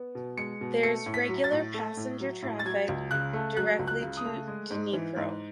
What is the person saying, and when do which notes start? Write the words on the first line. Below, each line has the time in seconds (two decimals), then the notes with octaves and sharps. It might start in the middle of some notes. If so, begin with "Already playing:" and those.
There is regular passenger traffic directly to Dnipro.
Already playing: B3
0.15 B2
0.38 G#3 C#7
0.61 B2
0.83 A3 C#7
1.06 A2
1.14 B6
1.28 F#3
1.44 A6
1.51 A2
1.74 A3
1.97 A2
2.20 F#3
2.42 A2
2.59 A6
2.65 F#3 G#6
2.89 C#2
3.11 C#3 F#6
3.33 A3
3.56 F#3 F#6
3.79 C#2
3.87 F#6
4.02 C#3
4.17 D#6
4.24 A3
4.48 G#3
4.71 G#2
4.93 E3
5.16 G#2